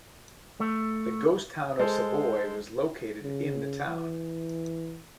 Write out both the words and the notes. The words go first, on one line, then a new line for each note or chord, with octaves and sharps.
The ghost town of Savoy was located in the town.
A3
G#3 A4 C5
C#3
E3